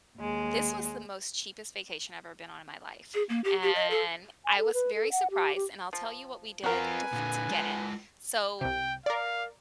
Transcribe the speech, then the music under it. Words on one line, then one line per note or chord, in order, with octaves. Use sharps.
this was the most cheapest vacation I've ever been on in my life, and I was very surprised, and I'll tell you what we did to f to get it. So,
D#2 G#3
G#4
A#3
G4
G4
D#5
A4
G#5
A4
B4
A4
F#5
G4
G4
F3
C4 F4 F#4 A#4 B4 G#5
A#2 D3
G#3 F4 A5
C2 C3 G5
A#4 D5 F5